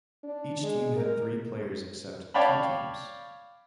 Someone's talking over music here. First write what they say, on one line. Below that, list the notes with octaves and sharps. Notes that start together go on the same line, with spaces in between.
Each team had three players except two teams.
D4
G#3
A#4
C#5 D5 F5 G5 A5 B5